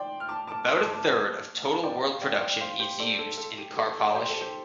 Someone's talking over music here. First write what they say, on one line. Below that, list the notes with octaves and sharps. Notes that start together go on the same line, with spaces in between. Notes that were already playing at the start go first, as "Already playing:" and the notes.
About a third of total world production is used in car polish.
Already playing: C5 D5 G5
F6
A5 D6
A5 D6
C6 F6
A5 D6
A5 D6
F5 A5
D5 G5
C5 F5
D5 G5
D5 G5
C5 F5
G4 C5
A4 D5
A4
A4
G4
A4
D5
G4 C5
A4
G4 C5